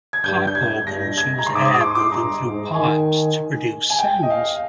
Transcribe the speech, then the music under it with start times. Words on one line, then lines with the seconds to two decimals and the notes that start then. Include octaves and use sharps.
Pipe organs use air moving through pipes to produce sounds.
0.13 G#6
0.24 G2 G6
0.47 G6
0.55 G#6
0.86 G2 A#6
1.18 G#6
1.39 A#5
1.47 G#2 C6
1.55 D6
1.64 D#6
1.75 D6
1.81 C6
1.95 D6
2.11 G2 A#5
2.43 G#2
2.74 D#3 G#5
3.90 G#5
3.99 G5
4.23 D#5
4.30 F5